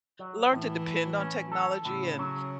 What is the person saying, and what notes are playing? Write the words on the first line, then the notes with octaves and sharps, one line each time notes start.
learn to depend on technology. And,
F#3
A2 E3
A2
C#4
A4
A2 C#3
F#3